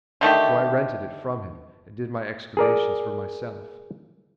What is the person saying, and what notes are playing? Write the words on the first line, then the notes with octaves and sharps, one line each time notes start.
So I rented it from him, and did my excavations for myself.
D3 D#3 A3 G4
G#4 A#4 D5